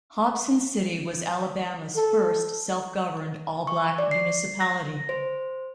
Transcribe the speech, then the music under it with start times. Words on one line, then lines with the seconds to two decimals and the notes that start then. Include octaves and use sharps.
Hobson City was Alabama's first self-governed all-black municipality.
1.97 A4
3.67 C#6
3.98 D5
4.11 C7
4.60 A#6
5.09 C5